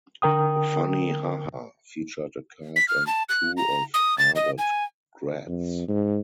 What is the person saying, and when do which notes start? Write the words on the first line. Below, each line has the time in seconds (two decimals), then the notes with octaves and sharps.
"Funny Ha Ha" featured a cast and crew of Harvard grads.
0.22 D3 A#4 G5 D#6
2.76 B6
2.88 F6
3.07 A5
3.29 F#6
3.57 A#5
3.94 D#6
4.18 A6
4.35 D#5
4.58 G#5
5.48 F2
5.88 G#2